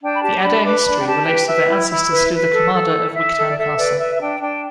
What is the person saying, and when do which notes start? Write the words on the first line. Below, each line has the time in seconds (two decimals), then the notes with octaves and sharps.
The Adair history relates that their ancestor slew the commander of Wigtown Castle.
0.01 D4 G5
0.14 B5
0.22 G4 A5
0.38 D6
0.44 D4 B5
0.65 B4 D6
0.85 D4 B5
0.99 G5
1.06 G4 A5
1.27 B4 G5
1.48 B4 E5
1.68 E4
1.89 E4
2.11 B4
2.32 B4
2.52 A4
2.74 A4
2.95 E4
3.15 E4 E5
3.36 A4 E5
3.49 D5
3.57 A4 E5
3.78 B4 D5
3.99 B4 E5
4.14 E5
4.20 D4 G5
4.40 D4 G5